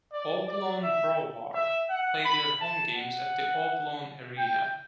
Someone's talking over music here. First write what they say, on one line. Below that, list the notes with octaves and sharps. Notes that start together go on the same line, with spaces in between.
"Obolon Brovar" play their home games at the Obolon Arena.
D5
D5
E5
E5
F#5
B5
A5
F#5
G5